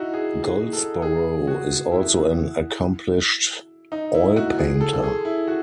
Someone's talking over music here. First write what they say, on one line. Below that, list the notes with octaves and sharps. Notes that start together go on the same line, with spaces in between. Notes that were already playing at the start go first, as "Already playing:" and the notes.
Goldsboro is also an accomplished oil painter.
Already playing: D#4 E4 F#4
G#4
G#4
A4
G#4
F#4
E4
D#4
E4
F#4
G#4
A4
G#4
E4
F#4